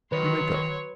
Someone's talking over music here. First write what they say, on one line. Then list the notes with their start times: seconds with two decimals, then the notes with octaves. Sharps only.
"You may go."
0.12 D#3 F#3 B4 C#5 C6